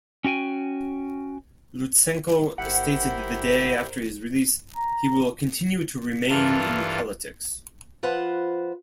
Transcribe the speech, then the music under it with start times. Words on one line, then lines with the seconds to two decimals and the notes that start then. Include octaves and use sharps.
Lutsenko stated the day after his release he will "continue to remain in politics".
0.25 C#4 F#4 G5 G#5
2.58 G1 E4 G4 A#4 C5 F#5 B5
4.76 A#5
6.29 G2 E3 F4 A4 A#4
8.03 F3 F4 B4 C5 F#5